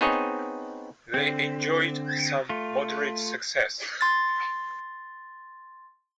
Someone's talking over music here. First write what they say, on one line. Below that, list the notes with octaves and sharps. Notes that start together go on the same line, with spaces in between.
They enjoyed some moderate success.
B3 C4 D#4 G#4 C#5 D#5
D3 C4
A3 F4
C6 A6